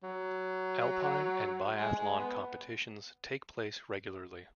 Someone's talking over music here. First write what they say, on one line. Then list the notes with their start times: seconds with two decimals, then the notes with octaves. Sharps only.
Alpine and biathlon competitions take place regularly.
0.03 F#3
1.76 G#3
1.97 G#3
2.19 B3